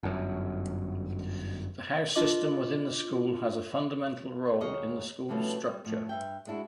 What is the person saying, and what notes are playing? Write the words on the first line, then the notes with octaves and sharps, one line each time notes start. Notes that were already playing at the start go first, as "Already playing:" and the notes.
The House System within the school has a fundamental role in the school's structure.
G1 F#2
D4 F4 D#5 D6 F#7
D#2 A#3 G#4 C#5 D#5
B2 E3 F3 G3 A3 C#4
G3
A2 F3
G2 E5 G5
G#3 D4 E4 F#4